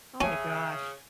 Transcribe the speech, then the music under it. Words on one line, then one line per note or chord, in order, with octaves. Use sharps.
Oh my gosh.
C#3 C#4 E5 G#5